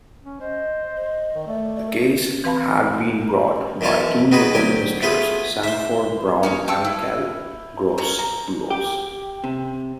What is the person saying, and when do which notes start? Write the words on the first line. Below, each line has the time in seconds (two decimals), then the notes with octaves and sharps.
The case had been brought by two local ministers, Sanford Brown and Kel Groseclose.
0.24 C#4
0.41 C5 D#5
1.35 D#3
1.47 A3 D5
1.86 A#4
2.44 E3 C4 B4 F5 A5 B5
3.81 F#2 B2 E3 F4 G#5 A5
4.32 B3 C4 D#4 F#4 G#4 B4
4.54 D2 F#3 G4 G#5
5.02 A3 B3 F4 G#4 B4 C5
5.63 C5 E5
6.43 C#4 D#4 C#5
6.68 G5 A5 C#6 E6
6.85 E4
7.98 C#4 A#5
8.19 A#5
8.70 G4
9.44 C3